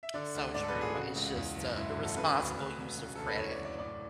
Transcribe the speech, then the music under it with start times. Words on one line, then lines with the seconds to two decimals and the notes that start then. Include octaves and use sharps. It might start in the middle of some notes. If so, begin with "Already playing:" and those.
So true, it's just, uh, the responsible use of credit,
0.03 E5
0.14 D3 D5
0.35 D2
0.54 G#2 D5
0.62 A4
0.68 B4
0.75 A1
0.81 G#4
0.95 C#3 F#4
1.15 C#2
1.36 E2
1.56 F#1
1.76 G#2 E4
1.90 F#4
1.96 G#1
2.03 A4
2.16 C#3 B4
2.37 D2
2.57 D2
2.78 E1
2.98 C#3
3.15 D2 A4
3.27 B4
3.38 E2 C#5
3.52 D5
3.58 F#1
3.65 D5
3.78 A2 D5